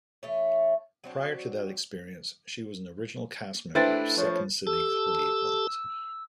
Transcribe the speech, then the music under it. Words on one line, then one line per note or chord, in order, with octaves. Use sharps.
Prior to that experience, she was an original cast member of Second City Cleveland.
E3 A3 C#5
F#3 C4 D4
A3 D4 E4 B4 C5 G5 A6
F3 C#5
G4 A4 A5 E6